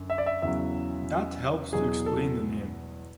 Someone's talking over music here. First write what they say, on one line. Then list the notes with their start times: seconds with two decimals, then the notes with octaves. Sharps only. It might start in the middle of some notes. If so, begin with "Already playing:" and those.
That helps to explain the name.
Already playing: F#2 D3
0.10 E5
0.18 D5
0.26 E5
0.42 E2 C#3 F#3 E5
1.73 E2 B2 F#3 G#4
2.06 A4